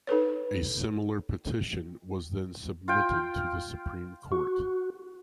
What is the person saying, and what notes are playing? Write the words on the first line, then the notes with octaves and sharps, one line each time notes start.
A similar petition was then submitted to the Supreme Court.
D#4 A4 B4 C#5
F4 G5
F#4